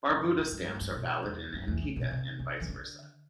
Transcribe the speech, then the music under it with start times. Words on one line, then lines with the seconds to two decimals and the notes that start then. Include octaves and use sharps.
Barbuda stamps are valid in Antigua and vice versa.
0.08 F#2
0.38 F#2
0.52 F#2
0.67 G2
0.81 G2
0.95 B2
1.24 E2
1.53 F#2
1.67 E2
1.82 A2
1.96 B2
2.11 C3
2.39 C3
2.61 E3
2.68 D3